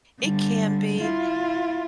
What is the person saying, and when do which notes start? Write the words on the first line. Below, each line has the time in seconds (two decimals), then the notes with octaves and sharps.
It can be,
0.20 D3 G3
1.00 E4 F4